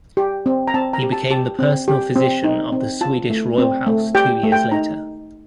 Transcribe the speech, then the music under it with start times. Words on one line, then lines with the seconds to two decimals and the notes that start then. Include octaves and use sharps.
He became the personal physician of the Swedish royal house two years later.
0.17 G4
0.46 C4
0.68 A#5
0.74 C4 A5
0.93 A#5
1.03 G4
1.12 A5
1.30 G4 A5
1.59 C4
1.88 G4
2.16 C4
2.44 D#4
2.72 C4
3.01 F4 A5
3.30 A3
3.58 C4
3.87 A3
4.15 G4 G5
4.43 A3
4.52 G5
4.72 D#4 A#5